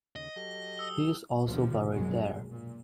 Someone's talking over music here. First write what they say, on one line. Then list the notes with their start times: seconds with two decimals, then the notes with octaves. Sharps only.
He is also buried there.
0.16 D#2 C#3 D#5
0.36 F#3 G4 A4
0.78 D#6 E6 G7
1.44 D#2 B2 D3 F3
1.91 A#1 F#2 B2 F#3 G#3
2.50 A#2